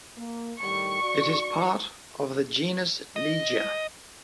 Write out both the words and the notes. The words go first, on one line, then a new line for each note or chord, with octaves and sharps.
It is part of the genus Ligia.
A#3
A2 D#3 G3 C#6
F#4 D5
D#5